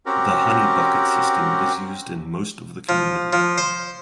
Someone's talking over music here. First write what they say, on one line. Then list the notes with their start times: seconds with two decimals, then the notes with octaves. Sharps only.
The honey bucket system is used in most of the community.
0.06 C4 C#4 F#4 G4 A#4
2.89 F3
3.33 F3
3.58 C5